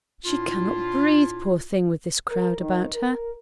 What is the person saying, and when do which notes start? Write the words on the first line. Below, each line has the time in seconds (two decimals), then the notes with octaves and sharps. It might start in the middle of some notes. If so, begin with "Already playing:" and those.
She cannot breathe, poor thing, with this crowd about her.'
0.25 A2 D4 E4 F4
2.30 A#4
2.60 D#3
2.95 A#4